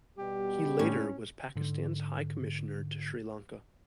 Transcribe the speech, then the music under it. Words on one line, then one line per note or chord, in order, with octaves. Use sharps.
He later was Pakistan's High Commissioner to Sri Lanka.
B2 G3 G4
A2 C#4 D4
G#2 D3